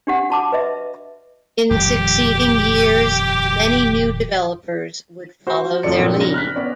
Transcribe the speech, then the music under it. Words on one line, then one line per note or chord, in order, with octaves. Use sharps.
In succeeding years, many new developers would follow their lead.
D4 G4 F#5
F#4 A5 D6
B4 D#5 E5
D#1 F2 G3 G4
F#4 C5
F1 F2 F3 A4 D5 C#7
A#2 F3 F#3 C4 D4
C#3 D4 A#6
F6 F#6 B6
B3 C#4 D5